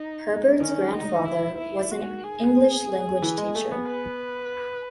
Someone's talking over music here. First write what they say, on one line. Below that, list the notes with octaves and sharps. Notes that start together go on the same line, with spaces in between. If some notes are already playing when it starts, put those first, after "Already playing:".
Herbert's grandfather was an English language teacher.
Already playing: D#4
D#3 C#4
D#4
E4
E4
F#4
G#4
E3
G#3
A3
B3
B4